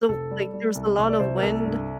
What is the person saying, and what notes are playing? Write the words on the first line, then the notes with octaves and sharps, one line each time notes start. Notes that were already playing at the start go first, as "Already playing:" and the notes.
so, like, there was a lot of wind.
F1 A4
G3
G3
C2
C2
D5
C2 C5
A#4
C2 A4
G2